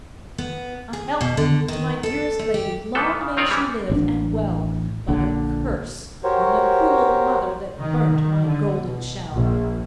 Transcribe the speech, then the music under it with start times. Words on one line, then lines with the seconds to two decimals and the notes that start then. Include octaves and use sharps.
'A health to my dearest lady, Long may she live and well! But a curse on the cruel mother That burnt my golden shell!'
0.38 B3
0.93 G#4
1.21 B2
1.37 D3
1.68 D#3
2.03 A4
2.39 A3
2.54 G4
2.95 A#2 E3 F3 A3 B3 A4
3.21 C#3
3.37 D#3 C4 F4 A#4 C#5 D5
3.51 E3 G3 G#3 B3 C#4
3.90 A1 C4 D4
5.08 A#1 A#2 D3
6.24 F#4 G4 A#4 C5 C#5
7.79 D#3
8.13 D#3
8.45 D3
8.78 B2
9.34 A#1